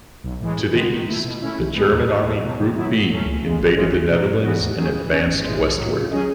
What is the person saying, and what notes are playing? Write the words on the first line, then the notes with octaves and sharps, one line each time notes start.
To the east, the German Army Group B invaded the Netherlands and advanced westward.
B1
A2 E3 G#3
F#2
D#3 G#3 B3
D#3
A3 E4
B2
A3 C#4 E4
B1
A2 G#3 B3
D#2
D#3 A3
E2
B2 F#3
D#3
F#3 B3 E4
G#2
F#3 A3 C#4
C#2
C#3 G#3
G#1
F#2 E3 G#3 C#4
B1
B2 A3 D#4
F#2
E3 B3 F#4
D#2
D#3 F#3 C#4 G#4
E3
G#3 C#4
G#1
G#2 E3 G#3
B1
A2 F#3
C#3
F#3 C#4 G#4 D#5